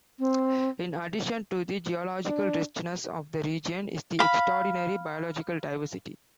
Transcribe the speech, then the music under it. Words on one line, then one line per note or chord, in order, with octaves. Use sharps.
In addition to the geological richness of the region is the extraordinary biological diversity.
C4
D4
F5 B5